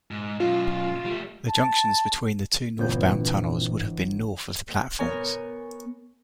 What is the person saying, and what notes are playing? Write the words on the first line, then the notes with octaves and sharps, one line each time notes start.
The junctions between the two northbound tunnels would have been north of the platforms.
G#2
F#2 B2 F4
G3 A3
A5
G1 A#2 E3 C4 B4 G6
B3 A#4 C#5 G#5